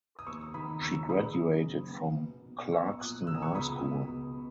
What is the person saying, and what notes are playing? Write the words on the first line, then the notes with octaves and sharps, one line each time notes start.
She graduated from Clarkston High School.
D#6
D#2 C#6 E6
D#3 B5 D#6
D#2 C#6 E6
G#3 B5 D#6
F#2
F#1
B3
B2
B1
B1 C#6 E6
A#2 D#6 F#6
B1 E6
D#6
C#6 E6
C#2 B5 D#6
B2
C#2